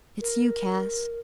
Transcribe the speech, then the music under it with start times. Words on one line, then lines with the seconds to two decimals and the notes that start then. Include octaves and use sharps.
Hit's you, Cass.
0.21 A#4